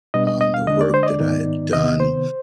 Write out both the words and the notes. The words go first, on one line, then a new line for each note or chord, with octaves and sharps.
uh, the work that I had done.
B2 G3 B3 D4 D#5
D#5
D#5
F5
D3 G#3 D4 D#5
D5
C5
D#5
D5
G#2 D#3 B3 D#4
C3 D#3 B3 D#5
C5